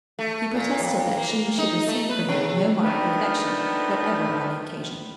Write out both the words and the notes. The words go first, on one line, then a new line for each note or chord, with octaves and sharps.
He protested that she should receive from him no mark of affection whatever on the occasion.
A3
A#2
F2
A#3
D#4
A3
B4
C3
D#3 F3 A3 B3 D4